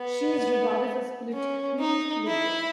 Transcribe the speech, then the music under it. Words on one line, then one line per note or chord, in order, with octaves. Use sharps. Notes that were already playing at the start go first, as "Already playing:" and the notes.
She is regarded as politically liberal.
Already playing: B3
C#4
D#4
E4